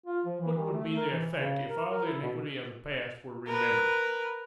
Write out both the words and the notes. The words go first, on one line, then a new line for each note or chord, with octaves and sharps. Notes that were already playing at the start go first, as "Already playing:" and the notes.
What would be the effect if all the iniquity of the past were remembered?
F4
F3
E3
D#3
A3
A#4
E3
C#3
A#4
A#4
E4
B2
A#4 B4